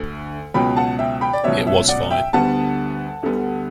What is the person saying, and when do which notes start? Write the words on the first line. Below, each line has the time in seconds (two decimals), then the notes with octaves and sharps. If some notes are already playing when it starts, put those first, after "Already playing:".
It was fine.
Already playing: D2 D3 A3
0.54 C#2 B2 F#3 B3 G5 B5
0.76 F#5 A5
0.99 E5 G5
1.21 G5 B5
1.33 D5
1.43 C#2 B2 F#3 B3 C#5 E5
1.66 C#5 E5
1.88 D5 F#5
2.11 E5 G5
2.33 D2 D3 G3 B3 F#5 A5
3.23 D2 D3 G3 B3